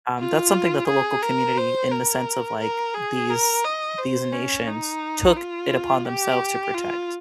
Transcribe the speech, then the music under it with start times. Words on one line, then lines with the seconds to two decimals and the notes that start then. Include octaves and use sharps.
um, that's something that the local community in the sense of, like, these these nations took it upon themselves to protect.
0.19 F4
0.87 G#4
1.23 A#4
1.58 C5
1.92 A#4
2.60 A#4
2.94 G#4
3.30 A#4
3.64 D#5
3.98 C5
4.32 C#4
4.67 D#4
5.37 F4
6.05 G4
6.74 F4